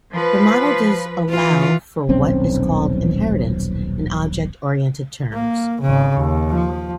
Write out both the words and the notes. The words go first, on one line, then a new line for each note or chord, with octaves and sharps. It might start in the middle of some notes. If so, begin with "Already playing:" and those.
The model does allow for what is called inheritance in object oriented terms.
F3 B4
E3 F4
D#1 B1 C4 C#4
A#3
G#1 C#3
D#2
F3